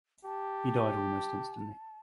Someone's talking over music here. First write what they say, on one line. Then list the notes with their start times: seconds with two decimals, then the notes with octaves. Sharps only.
He died almost instantly.
0.25 G4 A5